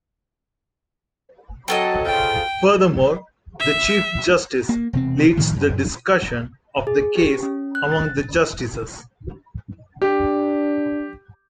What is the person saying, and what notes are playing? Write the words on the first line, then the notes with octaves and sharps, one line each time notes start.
Furthermore, the Chief Justice leads the discussion of the case among the justices.
F#3 C4 A4 D#5
C#3 F4 G5
E5
A#3
E1 C3 C4
A2 D#3 F3
F#2
G#4
G4
C#4
F#6
A6
D4 G4